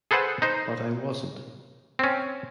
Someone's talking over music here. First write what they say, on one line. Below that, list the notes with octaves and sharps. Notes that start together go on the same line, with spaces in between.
But I wasn't.
G#4 A4 B4 C5 F#5
D#4 C5
C4 C#4